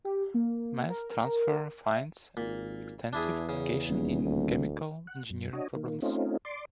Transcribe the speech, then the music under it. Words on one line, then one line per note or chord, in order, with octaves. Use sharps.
Mass transfer finds extensive application in chemical engineering problems.
G4
A#3
A#4
A#4
E5
G#1 A#2
E2 D4 E4 G#4
C#3
D#1
D2
F#5
F#2
D4 F#4 C#5 D#5
D#3 A#3
A3 C4 C#4 D#4 F4
D5 C6 D6